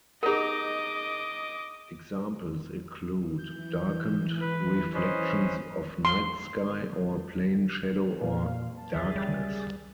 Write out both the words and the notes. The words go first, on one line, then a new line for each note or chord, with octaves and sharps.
Examples include darkened reflections of night sky, or plain shadow or darkness.
B3 D#4 G#4 A#4 D#5 D6
E3 G6
B4
C#4 B4 C5 D#5
C6
A#2 F5
A5
C#2 G#4 C#5 E5 A6
G3